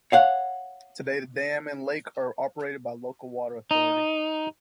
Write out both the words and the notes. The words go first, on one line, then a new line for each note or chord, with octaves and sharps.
Today the dam and lake are operated by a local water authority.
C#5 F5 F#5
D#4